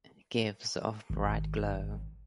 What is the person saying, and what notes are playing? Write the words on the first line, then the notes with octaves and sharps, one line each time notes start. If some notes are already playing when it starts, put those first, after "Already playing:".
Gives of bright glow.
G#1